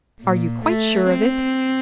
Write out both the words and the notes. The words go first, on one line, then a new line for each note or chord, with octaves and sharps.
"Are you quite sure of it?"
A#2
A3
C4